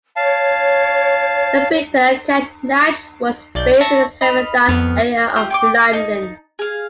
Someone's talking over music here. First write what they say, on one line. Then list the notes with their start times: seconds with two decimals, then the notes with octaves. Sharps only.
The printer, Catnach, was based in the Seven Dials area of London.
0.16 C#5 F5 A5
3.55 B1 D5 G6
3.81 E5 A5 C#6 A#6
4.21 D#5 B5 F6
4.68 F2 B3 F6
5.36 F4 G4 E5 D#6
5.50 G5 C#6 D6
5.91 D#4 A5
6.59 G#4 F5